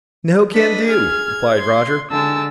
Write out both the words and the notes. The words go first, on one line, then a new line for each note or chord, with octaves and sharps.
"No can do," replied Roger.
D4 A4 B4 D#5 B6
G#4 F6 G#6
C6
D3 G#3 A5 E6